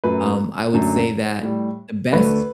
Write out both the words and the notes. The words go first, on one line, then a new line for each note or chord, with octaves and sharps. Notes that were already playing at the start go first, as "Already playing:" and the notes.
um, I would say that the best
F#2 F#3 A3 B4
F#2 D3 F#3 A3
A2 G3
D2 D3 A3 B4